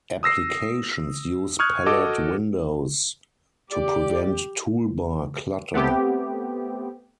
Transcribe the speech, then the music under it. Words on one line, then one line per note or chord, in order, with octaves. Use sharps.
Applications use palette windows to prevent toolbar clutter.
D#6 E6 A#6 C7
C#6 D#6 F6 F#6 G#6
F#4 A4 D#5 D6
G4 D5
A3 B3 C4 G4